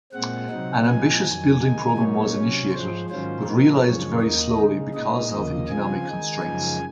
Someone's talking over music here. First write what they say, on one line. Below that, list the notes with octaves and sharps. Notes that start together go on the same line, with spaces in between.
An ambitious building program was initiated, but realised very slowly because of economic constraints.
A#2 G#3 C4 F#5
C3 F#3 C4 D#4
A#2 F3 C4 D#4 G#5
F2 D#3 F#3
C3 D#3 G#3 D#4
A#2 F#3 A#3 D#4 C#5
C3 F#3 C#4
G#2 F3 G#3 C5
G#2 D#3 F#3 C#4 F4 C5
A#2 F3 C4 D#4 A#4
F#2 C#3 F3 G#3 C#5
D#2 D#3 A#3 D#4 D#5
C#3 G#3 D#4
A#2 G#3 D#4 D#5
D#2 C#3 F3 A#3 D#5
C#3 F3 C4 F4 G#5
D#3 G#3 D#4
F#2 C#3 F3 G#3 D#4